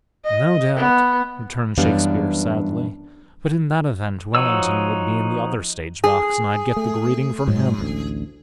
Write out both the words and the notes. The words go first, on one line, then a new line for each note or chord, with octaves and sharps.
"No doubt," returned Shakespeare, sadly; "but in that event Wellington would be in the other stage-box, and I'd get the greeting from him."
D#5
B3
F#2 E3 G3 B3 D4 F5
F3 D#4 F#4 C#5 E6
G#4
A3
G#2 F#3
A1 D2